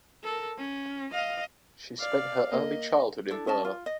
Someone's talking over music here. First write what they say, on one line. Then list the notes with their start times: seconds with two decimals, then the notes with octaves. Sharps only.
She spent her early childhood in Burma.
0.24 A4 A#4
0.58 C#4
1.11 D#5 F5
1.99 D5 F5
2.51 A#3 D#5
3.31 D4 E4 A4
3.47 C#4 D#5 A5
3.65 F4
3.86 D#5